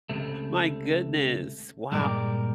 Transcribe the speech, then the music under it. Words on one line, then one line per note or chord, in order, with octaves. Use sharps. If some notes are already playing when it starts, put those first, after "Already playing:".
My goodness. Wow.
C#2 C3 A3
G2 A#2 G#3 G4 A#4 D5